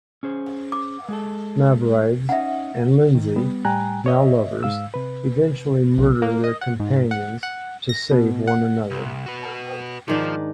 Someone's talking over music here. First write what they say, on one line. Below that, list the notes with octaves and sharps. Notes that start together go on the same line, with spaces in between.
Mavrides and Lindsay, now lovers, eventually murder their companions to save one another.
C#4 G#4 C5
D6
G#3 G#4 A4
C#4 D#4 E5 F#5
D#3
G3 B3
A2 G3 G5 G#5 A#5 F#6
C#5 D#5 E5
G#2 F5 E6
C3 B4
B1
A#3
D#5
F#5
G#2
F#5
F#5
A#6
B2
F#5
C2
F#4 B4
G#2 D#3 F3 D4